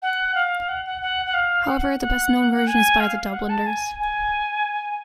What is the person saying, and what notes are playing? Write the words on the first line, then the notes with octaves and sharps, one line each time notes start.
However the best-known version is by The Dubliners.
F#5
F5
F#5
F#5
F#5
F#5
F5
F#5
F#5
G#5
F5
F#5
A5
G#5
G#5